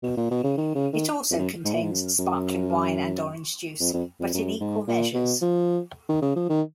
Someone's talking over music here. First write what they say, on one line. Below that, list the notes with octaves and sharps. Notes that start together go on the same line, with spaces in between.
It also contains sparkling wine and orange juice, but in equal measures.
B2
A#2
B2
C#3
D#3
C#3
D#3
F2
F#2
G#2
A#2
G#2
F#2
F#2
F2
F2
F2
F#2
G#2
A#2
B2
F3
D#3
C#3
F3
D#3